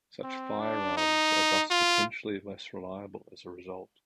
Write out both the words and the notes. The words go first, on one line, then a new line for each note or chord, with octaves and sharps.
Such firearms are thus potentially less reliable as a result.
C4
D4
D#4
F4